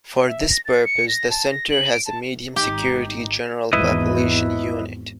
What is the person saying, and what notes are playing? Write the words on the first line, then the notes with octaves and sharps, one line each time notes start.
For this purpose, the center has a medium security general population unit.
E5
A#6
A6
C#7
A#6
A5
A#6
F#7
D7
A5
G#1 D#4 G4
G#1 E2 E4 B4 D#5